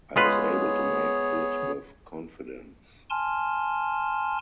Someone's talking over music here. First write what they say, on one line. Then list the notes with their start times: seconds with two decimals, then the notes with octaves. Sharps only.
I was able to make bid with confidence.
0.16 G#3 B3 F4 G#4 B4 C#5
3.10 G#5 A5 C6 F6